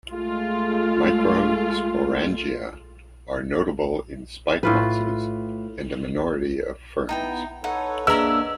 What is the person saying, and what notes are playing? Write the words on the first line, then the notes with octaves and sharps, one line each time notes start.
Microsporangia are notable in spikemosses, and a minority of ferns.
G#3 A3 F4
A2 F4 B4
B3 D#4 E4 G5 A#5
D#4 A4 B4 C#5 F#5
A#3 D4 G#4 B4 D#5 E5 A#5 E6